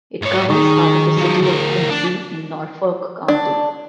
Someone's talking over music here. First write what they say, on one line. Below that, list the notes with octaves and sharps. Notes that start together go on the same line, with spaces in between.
It covers part of the city of Quincy in Norfolk County.
G#2 C#5
D#3 D#4 G#4 C#6
F#3 F4
D2 A#4
D4
D4